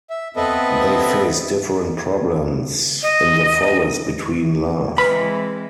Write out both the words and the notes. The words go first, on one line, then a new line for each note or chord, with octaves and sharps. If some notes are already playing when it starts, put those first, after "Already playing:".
They face different problems in the forest between love.
E5
B3 C4 A4 B4 D#5 E5
D#5
E3 G#3 C4 B4 B5 B6